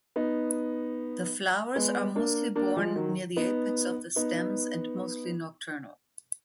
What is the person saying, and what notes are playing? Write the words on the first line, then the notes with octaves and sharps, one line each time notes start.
The flowers are mostly borne near the apex of the stems and mostly nocturnal.
B3 D#4
G#3 B3
A#3 D4
A#3 D4
F3 G#3
D#3 F#3
B3 D#4
B3 D#4